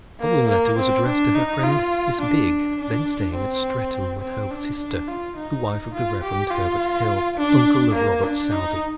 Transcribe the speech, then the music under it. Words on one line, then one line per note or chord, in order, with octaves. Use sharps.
The following letter was addressed to her friend Miss Bigg, then staying at Streatham with her sister, the wife of the Reverend Herbert Hill, uncle of Robert Southey.
A#3
A#3
C4
D4
D#4
F4
D4
D4
C4
C4
D4
D4
F4
D#4
F4
G4
F4
D4
A#3
D4
D#4